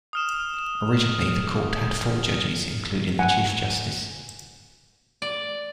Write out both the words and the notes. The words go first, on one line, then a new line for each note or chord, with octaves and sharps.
Originally, the Court had four judges, including the Chief Justice.
D#6 F6 E7
F#5 G#5
D5